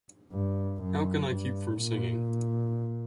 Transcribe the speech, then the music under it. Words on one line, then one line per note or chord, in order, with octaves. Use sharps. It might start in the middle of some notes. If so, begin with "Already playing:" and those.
How Can I Keep from Singing?
G2
F#2
G2
A#2